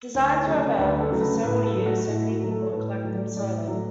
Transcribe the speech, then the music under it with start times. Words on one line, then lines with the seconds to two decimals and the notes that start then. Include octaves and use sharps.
Designs were available for several years so people could collect them slowly.
0.14 D2 B4
0.35 C#5
0.46 C#3 F#3 A3
0.58 D5
0.72 A4
0.78 D2 B4
1.00 A4
1.11 C#3 F#3 A3
1.21 B4
1.43 A2 B4
1.64 A4
1.75 F#3 A3
1.86 F#4
2.07 A2 E4
2.29 F#4
2.39 F#3 A3
2.51 A4
2.62 C#5
2.72 A2 B4
3.05 F#3 A3
3.15 D5
3.36 A2 D5
3.58 E5
3.68 F#3 A3